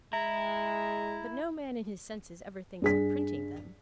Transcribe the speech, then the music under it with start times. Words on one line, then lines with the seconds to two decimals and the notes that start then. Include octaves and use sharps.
But no man in his senses ever thinks of printing them.
0.13 G#3 E4 A#5
2.82 G2 G#4 B6